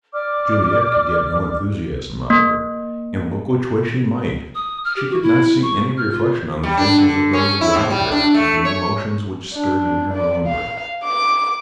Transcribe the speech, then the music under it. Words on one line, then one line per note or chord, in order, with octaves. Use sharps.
Juliet could get no enthusiasm out of her; and, look which way she might, she could not see any reflection on the faces of those around her of the emotions which stirred in her own breast.
D5 D6 F6
A#3
D#6
F6
G4
F#4
E4
C#6
F6
F4
G3
D4
D3
C#4
E4
G#2
G3
D4
A3
C#5
D4
D5
F5
D6